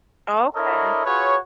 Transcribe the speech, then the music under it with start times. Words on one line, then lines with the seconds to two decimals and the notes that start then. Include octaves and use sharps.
Oh, okay.
0.55 D4 E4 A4 A#4 C#5 D#5
1.05 F4 F#4 G#4 B4 C#5